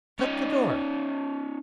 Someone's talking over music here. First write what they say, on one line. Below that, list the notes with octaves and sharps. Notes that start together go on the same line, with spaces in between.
Shut the door!
C#4 D#4